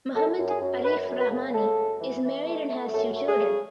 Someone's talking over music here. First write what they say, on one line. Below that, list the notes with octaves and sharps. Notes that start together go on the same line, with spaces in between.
Muhammad Arif Rahmani is married and has two children.
F#2 A4
F#2
G#4
F#2
F#2 B4
F#2
B4
C#3
C#3 A4
F#2
E3
E3
A3
A3
F#2 A4
A3
G#4
C#3